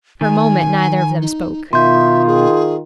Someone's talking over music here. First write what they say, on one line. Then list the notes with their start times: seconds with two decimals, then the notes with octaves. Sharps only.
For a moment neither of them spoke.
0.21 D#3 G#5
1.21 D#4
1.73 B2 D#3 F4 E5 C6 G6
2.27 G#4